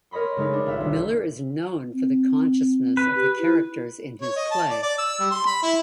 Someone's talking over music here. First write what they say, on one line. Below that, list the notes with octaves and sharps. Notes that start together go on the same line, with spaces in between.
Miller is known for the consciousness of the characters in his play.
A#4 C#5 D#5 B5 C6
C#3 G#3 A3 D#4
D4
G#1 F4 E5
C2
C4
B4
G4
E4
C#5
D#5
A5
D5
D5
E6
G3
C6
B5
E4